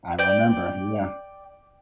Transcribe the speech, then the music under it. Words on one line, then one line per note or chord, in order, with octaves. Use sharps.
I remember, yeah.
D5 G5